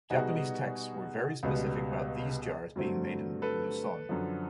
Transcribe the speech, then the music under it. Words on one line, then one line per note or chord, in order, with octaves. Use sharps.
Japanese texts were very specific about these jars being made in Luzon.
B2 G3 B3 D#4 F#4 G#4
C#2 B2 G3 B3
G2 D3 F#3 A3 C4
A4 B4
F#2 D3 F3